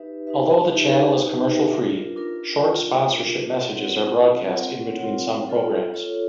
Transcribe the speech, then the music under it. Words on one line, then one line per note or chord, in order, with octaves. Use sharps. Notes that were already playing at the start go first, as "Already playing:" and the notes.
Although the channel is commercial-free, short sponsorship messages are broadcast in between some programmes.
Already playing: D#4 G4 B4 E5
D#4 G4 B4 E5
D#4 G4 B4 E5
D#4 G4 B4 E5
D4 F4 A#4
D4 F4 A#4
D4 F4 A#4
D4 F4 A#4
C4 F4 A#4 C#5 F#5
C4 F4 A#4 C#5 F#5
C4 F4 A#4 C#5 F#5
C4 F4 A#4 C#5 F#5
F4 A4 C#5
F4 A4 C#5